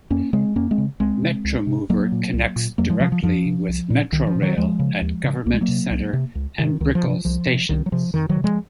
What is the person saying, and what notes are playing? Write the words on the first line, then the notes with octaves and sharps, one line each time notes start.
Metromover connects directly with Metrorail at Government Center and Brickell stations.
F2 A#3 C#4
C#3 G#3 C4
F2 A#3 C#4
G#3 C4
C#3
C#2 G#3 C4
C3
C#2
C3
C2 F#3 A#3
A#2
C2
A#2
F2 F#3 A#3
F3 G#3
C3 F3
F3
F2 F3
C3
C2
A#2
C2 D#3
F3
A#2
D#3 F#3
D#2 F3 G#3
C#3
D#2
C#3
C2 A#3
G#3
F#3 A#3
C3
C2
C3
C#2
C3 D#3
C#2 D#3
F3
C3
F3
C2 F3
C3
C2 D#3
F#3
C3 F3
F2 D#3
D#3 F#3
C3
F3 G#3